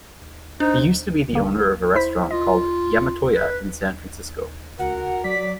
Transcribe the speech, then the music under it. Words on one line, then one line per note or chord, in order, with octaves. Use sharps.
He used to be the owner of a restaurant called Yamatoya in San Francisco.
D4 D#4 C5
G1 A#3
E4 C5 B6
F4 D#5
B4
C#2 F#4 A#4 F#5
F#3 D5 B6